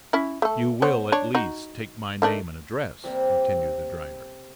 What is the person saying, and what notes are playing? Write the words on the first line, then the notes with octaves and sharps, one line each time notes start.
"You will, at least, take my name and address?" continued the driver.
C#4 E4
A3 A4
B3 C5 C#5
D4 C#5
D#4 F#4
D#3 A3 D4
C3 G3 A#3 C4